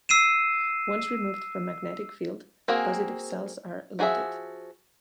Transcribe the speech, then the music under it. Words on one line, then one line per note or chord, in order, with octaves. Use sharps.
Once removed from magnetic field positive cells are eluted.
E6 C7 D#7 E7
A#3 C4 F#4 G#4
F3 F#4 G#4 A4 E5